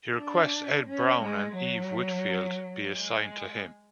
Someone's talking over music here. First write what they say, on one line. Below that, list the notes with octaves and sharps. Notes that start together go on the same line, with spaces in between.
He requests Ed Brown and Eve Whitfield be assigned to him.
D4
C#4
G#3
F#3
G#3